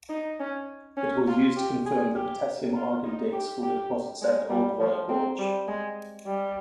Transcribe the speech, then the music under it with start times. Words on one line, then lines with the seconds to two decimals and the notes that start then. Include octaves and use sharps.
It was used to confirm the potassium-argon dates for the deposits at Olduvai Gorge.
0.09 D#4
0.39 C#4
0.97 C#4
1.28 F4
1.56 G4
1.86 G#4
2.15 G4
2.74 F4
3.04 D#4
3.33 G4
3.62 G4
4.22 G#3
4.50 G3
4.80 F3
5.09 C4
5.39 G3
5.68 G#3
6.26 G3